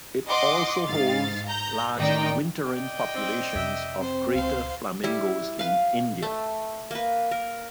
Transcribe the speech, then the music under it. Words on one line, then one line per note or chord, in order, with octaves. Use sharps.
It also holds large wintering populations of greater flamingos in India.
D#5 F#5 C6 D6 D#6
G#2 F5 A6
A#5 G6
A1 D#3 D#4 D5 G5 A#5
D5 D#5 G5
C4
F2 C3 E5
C4 C5
C#2 C5 F5
G3 E4
B4 F5
A3
A#3 B4
A#4